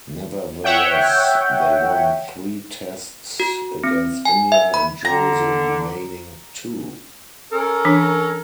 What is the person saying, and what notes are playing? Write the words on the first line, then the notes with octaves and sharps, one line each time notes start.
Nevertheless they won three Tests against India and drew the remaining two.
C#5 E5 F#5 G5
F#4
C4
G#5
E5
B5
D3 A#5
C#4 A4 A#4
E3 D4